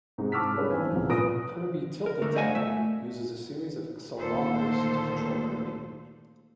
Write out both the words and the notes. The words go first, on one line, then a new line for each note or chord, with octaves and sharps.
"Kirby Tilt 'n' Tumble" uses a series of accelerometers to control Kirby.
G#2 C3 G#3 D#4
A5 D6 E6 F6 B6
G3 G#3 C#4 D4 B4
G#1 E3 G#5
C2 C#3 F3
A#2 F4 B4 D#6 A#6 D7
A#4
D3 A3 A#4
C5 D5 D#5 F5 F#5 G#5
A3 E5
D2 A#2 D#3 A#3 A4 C5